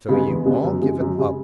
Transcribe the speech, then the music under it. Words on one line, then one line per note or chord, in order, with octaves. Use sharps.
So you all give it up?
C#3 G#3 B3
E2
C#3 G#3 B3
F#2
C#3 G#3
F#2
C#3 G#3